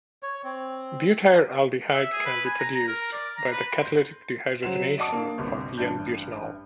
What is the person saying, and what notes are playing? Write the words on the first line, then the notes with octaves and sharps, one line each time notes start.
Butyraldehyde can be produced by the catalytic dehydrogenation of "n"-butanol.
C#5
C4
E5
G#4
B4
G#5
A#5
A#5
A#4
D5
A#5
B4
C6 G6
C#3 F#3 C5 F#5 E7
D5 D#5 F#5 A5 D6 D#6
A#3 D4
G1 C2
A1 G2 D5 A5 G6